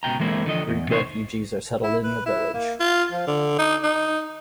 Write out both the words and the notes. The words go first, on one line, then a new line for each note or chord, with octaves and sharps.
Greek refugees are settled in the village.
C#2 B2 G5 A#5
E3 G#3 A#3 C4 E4
D3 F3 D#5
E2
C3 A3 D#4 C5 C#5
E4
B4
E4
A#3
F4
F3
D3
D#4
D#4